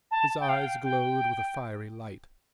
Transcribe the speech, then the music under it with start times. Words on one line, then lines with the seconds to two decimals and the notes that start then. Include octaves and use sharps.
His eyes glowed with a fiery light.
0.11 A5
0.40 G5
0.49 F5
0.58 G5
0.84 G5